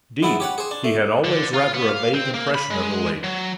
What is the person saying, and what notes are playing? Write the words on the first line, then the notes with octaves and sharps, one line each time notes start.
Indeed, he had always rather a vague impression of the lady.
G#2 E3 B3 E4
G4 C#5 F#5
G#4 C5
D4
A3
D3
F4
B3
F5
C4
A#3
B5
G#3
F#3